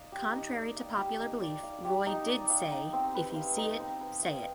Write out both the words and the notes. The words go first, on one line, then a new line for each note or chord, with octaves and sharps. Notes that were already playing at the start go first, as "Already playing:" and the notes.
Contrary to popular belief Roy did say "if you see it say it".
Already playing: D#4 D5 F5
G4
D#4
D5
F5
G4
D#4
D5
F5
G4
D#4
D5
F5
D#4
C4
B4
F5
D#4
C4
B4
F5